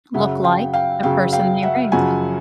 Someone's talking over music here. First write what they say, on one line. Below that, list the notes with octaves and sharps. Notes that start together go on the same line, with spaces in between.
look like the person they raised.
F#2 C#3 F#3 E5 F#5
F5 G5
F5 G5
F#2 C#3 F#3 F5 G5
F5 G5
E5 F#5
F#2 C#3 F3 F#5 G#5